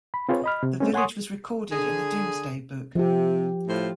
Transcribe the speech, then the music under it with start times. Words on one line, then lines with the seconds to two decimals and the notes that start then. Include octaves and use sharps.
The village was recorded in the Domesday Book.
0.14 B5
0.29 C4 F4 G#4 B4 C#5
0.44 D#5 B5 F6
0.63 C3
0.80 G#3 A#3 C4 C#4
0.94 C#5 F#5 G#5 C6 C#6 D#6
1.72 D3 G#4
2.95 C3 F3 G4
3.68 A2 F4 C5